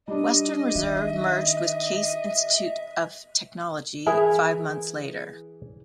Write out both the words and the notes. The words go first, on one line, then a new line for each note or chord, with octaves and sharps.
Western Reserve merged with Case Institute of Technology five months later.
G3 D4 D#5
D#3 E5
E3 G#4 A#4 E5